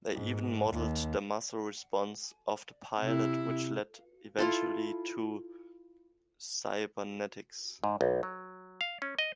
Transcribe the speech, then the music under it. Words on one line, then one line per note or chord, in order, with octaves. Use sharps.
They even modeled the muscle response of the pilot, which led eventually to cybernetics.
G#2
D#2
C3 E4
E4 F4 A4
G#2
B1
F#3
F5
C#4
D#5